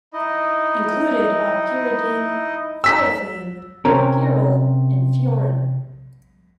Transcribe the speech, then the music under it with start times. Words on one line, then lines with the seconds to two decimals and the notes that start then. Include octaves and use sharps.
Included are pyridine, thiophene, pyrrole, and furan.
0.13 D#4 E4 D#5
2.84 E6 B6
3.85 C3 C#4 A#4